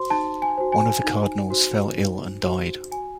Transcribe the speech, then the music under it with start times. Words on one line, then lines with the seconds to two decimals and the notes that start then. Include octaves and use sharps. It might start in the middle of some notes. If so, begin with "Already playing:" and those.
One of the cardinals fell ill and died.
Already playing: F#4 C5 C6
0.10 D#4 A5
0.42 G#5
0.57 F#4 C5
0.72 G#5
1.04 D#4
1.51 F#4 C5
1.98 D#4
2.44 F#4 C5
2.92 F#4 G#5